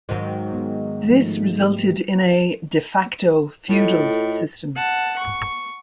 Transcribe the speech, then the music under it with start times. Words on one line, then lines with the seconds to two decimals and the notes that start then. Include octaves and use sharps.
This resulted in a "de facto" feudal system.
0.09 G#2 D#3 F#3
0.53 B3 G#4
1.09 F3 G#3 A3
1.61 G4
3.69 A2 F4 A4 D#5
4.76 F#5 A5
5.18 C#6